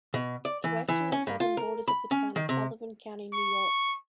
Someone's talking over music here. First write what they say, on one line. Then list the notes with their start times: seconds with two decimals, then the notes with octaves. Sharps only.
The western and southern borders of the town are Sullivan County, New York.
0.14 B2
0.45 D5
0.64 E3
0.88 E3
1.12 C#4
1.27 G2
1.40 F4
1.57 A#4
1.88 B5
2.11 C#4
2.36 D#3
2.49 C3
3.33 C#6